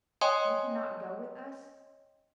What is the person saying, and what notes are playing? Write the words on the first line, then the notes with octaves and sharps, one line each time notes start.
"You cannot go with us!"
C#5 D#5 G5 G#5 C6 D#6